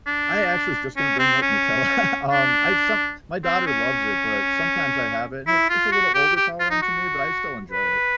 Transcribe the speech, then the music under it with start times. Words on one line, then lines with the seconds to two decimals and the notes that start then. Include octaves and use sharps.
I actually was just gonna bring up Nutella. Um, I some my daughter loves it, but sometimes I have it, and it's it's a little overpowering to me, but I still enjoy it.
0.07 D4
0.97 C#4
1.19 C4
1.42 C#4
2.32 D4
3.44 C4
3.67 C#4
5.47 E4
5.69 F4
5.92 F#4
6.15 G4
6.37 G4
6.60 F4
6.70 D#4
6.82 F#4
7.72 B4